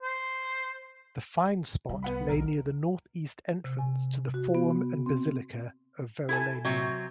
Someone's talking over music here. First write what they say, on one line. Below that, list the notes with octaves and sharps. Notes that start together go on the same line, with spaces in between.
The find-spot lay near the north-east entrance to the forum and basilica of Verulamium.
C5
C2 G3
B3 F#5 B5
B1 D3 A#4
C3
G#5
F#4
B3
C4
E4 A4 G#5
C3 F#3